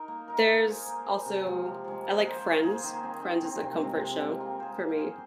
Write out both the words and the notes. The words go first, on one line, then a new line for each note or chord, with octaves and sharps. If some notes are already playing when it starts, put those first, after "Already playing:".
There's also I like Friends, Friends is a comfort show for me.
Already playing: D#4 A#4
A#3
D#4 A#4
A#3
G#4 C5
A#3
G#4 C5
C3
F3 G#3
C3
F3 G#3
A#3
G#4 C5
A#3
G#4 C5
D#3
C4 G#4
D#3
C4 G#4
C3
G#3 C4 F4
C3
G#3 C4 F4
A#3
G#4 C5
A#3
G#4 C5